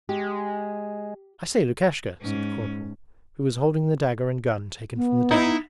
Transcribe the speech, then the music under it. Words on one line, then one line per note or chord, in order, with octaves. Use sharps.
'I say, Lukashka,' said the corporal, who was holding the dagger and gun taken from the dead man.
G#3 G4
G#2 C#4
B3
D#4 E4